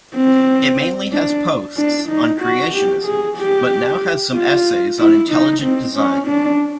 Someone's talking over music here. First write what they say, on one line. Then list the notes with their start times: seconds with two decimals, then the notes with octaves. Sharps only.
It mainly has posts, on creationism, but now has some essays on "Intelligent design".
0.15 C4
1.12 D4
1.77 D4
2.08 D#4
2.41 F#4
2.73 G4
3.05 G#4
3.37 G4
4.34 F4
4.99 E4
5.31 D#4
5.63 C4
5.95 C#4
6.28 D4